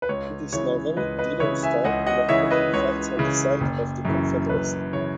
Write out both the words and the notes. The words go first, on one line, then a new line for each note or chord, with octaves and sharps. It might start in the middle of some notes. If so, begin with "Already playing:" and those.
In this novel Dylan Stark reluctantly fights on the side of the Confederacy.
B4
C#2 C#5
C#3 E3 C#5
C#2 B4 D#5
B4 D#5
C#3 E3 C#5 E5
E5 G#5
C#2 D#5 F#5
D#5 F#5
C#3 E3 C#5 E5
B4 D#5
C#2 C#5
C#3 E3
F#1
F#2 C#3 E3
F#1 B4
C#3 E3 C#5